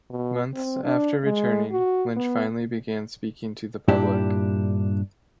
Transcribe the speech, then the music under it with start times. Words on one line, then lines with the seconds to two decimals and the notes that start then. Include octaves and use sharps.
Months after returning, Lynch finally began speaking to the public.
0.10 B2
0.54 C4
0.85 D4
1.24 G#3
1.72 F#4
2.17 B3
3.88 G2 A#2 D4 E4 G4